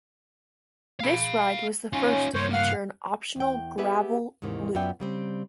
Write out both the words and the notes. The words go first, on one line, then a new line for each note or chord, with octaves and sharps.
This ride was the first to feature an optional gravel loop.
F5 B5
C#4 D#4 F4
G2 A#3 C5 C#5
F5 F#5 F6
E2 G5
B3 G4 G#4 B4 E5
D#2 G#2 C3 D#3 E3
F#2 B3 F4 D5 E5 G5
C#3 G3 C4